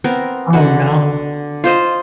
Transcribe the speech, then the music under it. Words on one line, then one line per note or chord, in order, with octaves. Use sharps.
Oh, no.
B3 C4 A#4
D3 F#4
F4 C5 D#5